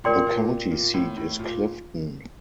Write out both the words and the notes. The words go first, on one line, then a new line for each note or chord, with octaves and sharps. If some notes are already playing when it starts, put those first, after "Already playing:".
The county seat is Clifton.
A#2 A#4 D5 G5 C6
A#2
A#2
A2
A2
A#2